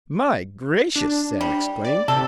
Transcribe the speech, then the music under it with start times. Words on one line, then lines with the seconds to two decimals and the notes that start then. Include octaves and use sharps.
"My gracious!" Sam exclaimed.
0.96 D4
1.41 G3
1.85 D5
2.08 C3 A4